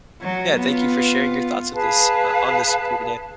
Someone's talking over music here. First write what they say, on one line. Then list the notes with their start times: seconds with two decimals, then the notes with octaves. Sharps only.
yeah, thank you for sharing your thoughts with this uh, on this with me today.
0.22 F#3
0.57 B3 F4
1.74 G#4 B4 F5 A5